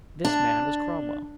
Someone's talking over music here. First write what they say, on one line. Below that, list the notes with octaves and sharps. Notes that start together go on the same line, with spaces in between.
This man was Cromwell.
D4